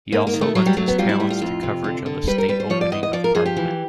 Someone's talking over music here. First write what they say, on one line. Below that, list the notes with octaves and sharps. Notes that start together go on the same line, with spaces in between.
He also lent his talents to coverage of the State Opening of Parliament.
G#2 A#3
A#3
D#3
A3
F#3 G3
G3
F#3 A3
B3
G3 F4
E4
A2 E4
F4
F2
C3
D3
D3
G3 B4
A#4
G3 B4
C5
F3 C#5
D5
E2 D#5
D#5
F3 D5
A#4
F3 G#4
G4
E3